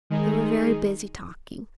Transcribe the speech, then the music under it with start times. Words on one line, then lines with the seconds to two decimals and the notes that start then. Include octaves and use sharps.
They were very busy talking.
0.10 D#3 G#3 D#4 G#4